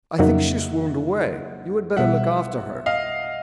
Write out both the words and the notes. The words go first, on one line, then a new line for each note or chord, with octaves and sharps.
'I think she swooned away; you had better look after her.'
F2 C#3 F#3 A#3 D#4 E5 F#5
B1 B2 G3 E5 F#5
D#5 F5